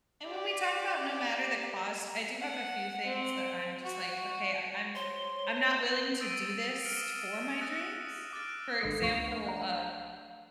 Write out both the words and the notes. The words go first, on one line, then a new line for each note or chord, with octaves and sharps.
and when we talk about no matter the cost, I do have a few things that I'm just like, "Okay, I'm I'm not willing to do this for my dreams." For example, uh,
G4 D5
F#5
C4
F#4
C5 C#5 C6
D#6 E6 A6 A#6 D7 D#7
F6 C#7 D7
D#6 F6 E7 G7
D7
D#6 E6 F#6 A6 A#6
D6 F6 F#6 A6 D7
G#1 G#3 D4 A4 D#6
C#2 F3 A3 F5 C#6
D4 A#4
F5 F#5 A#5